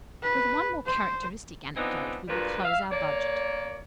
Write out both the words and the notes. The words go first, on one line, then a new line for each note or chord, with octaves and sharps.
With one more characteristic anecdote we will close our budget.
B4
C5
E3 F3 B3 C4 D4 D#4
D2 A#2 F3 G3 B4
E5 F5
A#3 C#5 D5